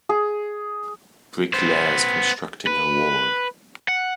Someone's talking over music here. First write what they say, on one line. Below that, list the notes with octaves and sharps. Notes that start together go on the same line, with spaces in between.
Brick layers constructing a wall.
G#4
B3 C5
B4
F#5